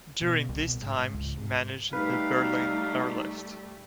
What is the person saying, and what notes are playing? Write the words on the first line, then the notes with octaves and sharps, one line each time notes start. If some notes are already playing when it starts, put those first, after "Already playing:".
During this time he managed the Berlin Airlift.
B2
C2
B2
G#2
G#2
C#2
G#2
G3 A3 D#4 B4 F5